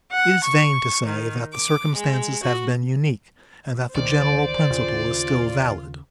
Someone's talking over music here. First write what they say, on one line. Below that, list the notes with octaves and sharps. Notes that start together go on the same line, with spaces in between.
It is vain to say that the circumstances have been unique and that the general principle is still valid.
F#5
C#6
D#3
D6
G#3
F#4
C#2 D#3 C5 D5
D#2 C#3 F4